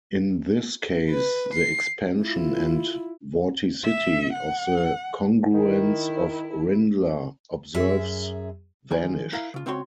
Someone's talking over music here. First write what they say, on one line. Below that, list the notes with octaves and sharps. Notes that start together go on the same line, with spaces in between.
In this case, the "expansion" and "vorticity" of the congruence of Rindler observers "vanish".
B4
C7
E4 F4
E5
F#5
D#3 E4
F#2 G#4 E5
D#3 F3 G#5
E4 A#4 F5
C#3 F4
C#2 C4 F#4 C#5 G#5 C6